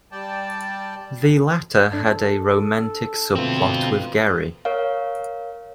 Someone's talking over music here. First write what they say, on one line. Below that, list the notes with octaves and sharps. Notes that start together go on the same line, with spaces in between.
The latter had a romantic subplot with Gary.
G3 D5 G5 A5
D4 A4
B2 D3 A3 C4 F4
A#4 C#5 F5